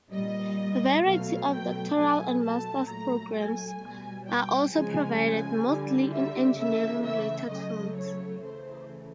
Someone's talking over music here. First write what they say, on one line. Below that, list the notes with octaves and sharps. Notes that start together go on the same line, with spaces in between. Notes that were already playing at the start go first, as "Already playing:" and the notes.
A variety of doctoral and master's programs are also provided, mostly in engineering-related fields.
A#2 G3 D#5
B2 F#3 A3 F5
G5
B2 F#3 A3 G#5
A5
A#2 F#3 A3 A#5
G#5
B2 G3
G5
C#3 F3 G#3 G#5
D3 G3
E5
C#3 E3 A3 E5
E5
C#3 F#3 A3 D#5
C#5
C#3 E3 A3 C5